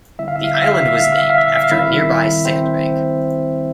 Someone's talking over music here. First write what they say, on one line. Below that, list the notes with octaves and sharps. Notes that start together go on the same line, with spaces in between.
The island was named after a nearby sand bank.
D3 G3 C4 E4 E5
F5
E5
F5
E5
F5
E5
F5
E5
F5
E5
F5
E5
F5
E5
F5
E5
F5
D#3 G3 C4 E4 E5
C4 C5